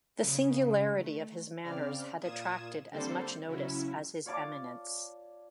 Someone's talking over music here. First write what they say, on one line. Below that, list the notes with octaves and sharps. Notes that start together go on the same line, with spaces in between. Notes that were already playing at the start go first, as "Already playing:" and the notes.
The singularity of his manners had attracted as much notice as his eminence.
C#3
A3
C#3 C4 D5 F6
A#2 F4 D#6 G#6 E7
D3 G3 A#3 C4 A4 C5
C#3 F#3 C#4 E4
F4 C#5 D5 A5 D6